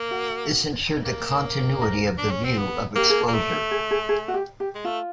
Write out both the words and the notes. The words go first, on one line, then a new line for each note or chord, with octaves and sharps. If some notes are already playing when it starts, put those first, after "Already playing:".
This ensured the continuity of the view of exposure.
Already playing: A#3
F#4
A#3
A#4
D4
C#4
C4
B3
A#3 G4
G#4
A4
A#3
A3 A#4
G#4
G#4
G#4
F#4
G4
G4
G#3
A3 F4